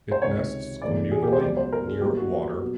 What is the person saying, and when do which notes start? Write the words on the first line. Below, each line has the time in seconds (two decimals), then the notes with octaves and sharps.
It nests communally, near water.
0.12 C5
0.22 C#2 C3 D#3 C#5
0.82 E2 C3 E3 A3 D5
1.11 G#4
1.22 G4
1.33 C5
1.41 C#2 B2 F#3 B3 D5
1.57 C5
1.72 A#4
1.87 G#4
2.01 B2 G3 A#3 G4
2.17 F#4
2.61 B2 F#3 B3